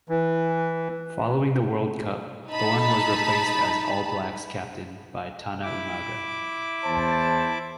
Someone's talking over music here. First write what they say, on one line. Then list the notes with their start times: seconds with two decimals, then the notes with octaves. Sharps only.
Following the World Cup, Thorne was replaced as All Blacks captain by Tana Umaga.
0.09 E3
2.50 D#4 A5 B5
5.63 E4 D6
6.84 E2 C5 A5